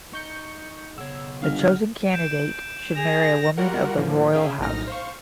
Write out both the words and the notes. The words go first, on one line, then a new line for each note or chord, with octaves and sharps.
The chosen candidate should marry a woman of the royal house.
D#4 C#6 G6 C#7
B1 C#3 B3 C#5 E6
G1 D3 D#5 F5 F6
G6 D7 E7
G#4 A#6 F7
G3 F4 F#4 A#4 F#5
A2 D3 E3 F3 A#3
C#4 G#4 E5 F5 G5
A#1 F#2 A2 D#4 F6 A#6
C5 F5 C#6